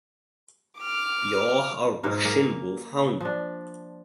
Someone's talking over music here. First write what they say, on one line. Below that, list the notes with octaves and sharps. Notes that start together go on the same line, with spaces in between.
You're a Russian wolfhound.
D6 F6
G#2 B2 A#3
A#3 G#4
F3 D4